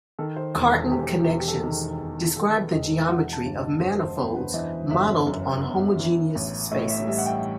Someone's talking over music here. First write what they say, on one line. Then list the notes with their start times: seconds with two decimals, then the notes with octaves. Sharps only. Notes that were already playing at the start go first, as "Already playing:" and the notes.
Cartan connections describe the geometry of manifolds modelled on homogeneous spaces.
0.19 D#3 A4
0.36 C5
0.54 E1
0.73 A4
0.91 E2 G4
1.15 G4
1.27 E1
1.39 G4
1.48 A4
1.57 G4
1.64 D#3
2.00 E1
2.36 E2 A4
2.55 B4
2.72 E1 D#5
3.08 E3 F#5
3.33 A5
3.45 G1
3.58 D#5
3.81 F#2 C5
4.00 C5
4.18 B3 B4
4.36 B4
4.54 E3 D#5
4.90 G1 E5
5.27 F#2
5.63 B3
5.99 E3
6.35 A1
6.71 A2 D#5
6.90 E5
7.08 G3 E5
7.18 F#5
7.26 G5